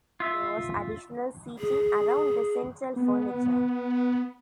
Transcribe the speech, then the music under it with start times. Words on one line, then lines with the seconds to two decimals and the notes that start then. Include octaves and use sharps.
There was additional seating around the central furniture.
0.20 F4 E5
1.59 G#4
2.96 B3